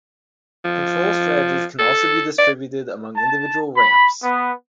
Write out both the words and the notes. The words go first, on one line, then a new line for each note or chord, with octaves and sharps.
Control strategies can also be distributed among individual ramps.
F3
A4
D5
A5
B5
B3